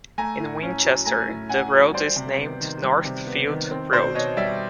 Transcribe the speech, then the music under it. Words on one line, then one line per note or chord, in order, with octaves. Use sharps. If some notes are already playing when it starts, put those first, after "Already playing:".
In Winchester, the road is named Northfield Road.
A3 G#5 A#5
A2
C#4
F#3
A3 G#5 A#5
A2
C#4 F#5 G#5
F#3
G3 C5 D5
C3
B3
D#3
G3
C3
B3
D#3
C4
B2 C5 D5
B2 C#5 D#5
G3 D5 E5